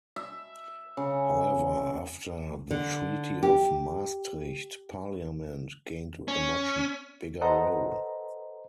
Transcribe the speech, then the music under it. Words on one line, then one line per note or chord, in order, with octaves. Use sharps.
However, after the Treaty of Maastricht, Parliament gained a much bigger role.
E5
C#3
D3
G4
C#4
A4 B4 C5 D#5 F#5 A#5